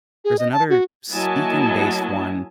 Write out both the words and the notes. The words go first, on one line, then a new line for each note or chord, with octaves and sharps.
There's another speaking-based one,
G#4
D#5
A5
F#4
F#3 A#3 E4 D#5 G#5 A5